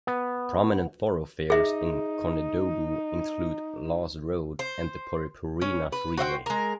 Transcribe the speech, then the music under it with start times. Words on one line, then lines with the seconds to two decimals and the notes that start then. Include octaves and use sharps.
Prominent thoroughfares in Konedobu include Lawes Road and the Poreporena Freeway.
0.07 B3
1.50 D#4 G#4 E5
4.59 C5
5.61 C#4
5.92 B4
6.17 F#4 C5 E5 G5
6.46 G#3 A#4